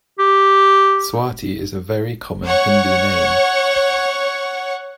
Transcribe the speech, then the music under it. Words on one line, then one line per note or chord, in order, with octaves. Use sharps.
Swati is a very common Hindu name.
G4
C#5 F#5 C#6